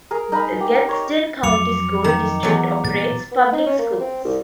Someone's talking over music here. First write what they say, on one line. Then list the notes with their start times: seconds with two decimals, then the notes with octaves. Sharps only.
The Gadsden County School District operates public schools.
0.11 G#4 A#4
0.32 D#4 A#4 G#5 B5
0.60 G4
0.75 A#4
0.89 C#5
1.43 F2 F#3 D6 C#7 F7
2.04 D#3 A#5
2.43 E2 F#3
2.85 A#2 A6
3.31 B3
3.52 D#4
3.66 C#4
3.79 A#3
4.00 C4
4.25 C2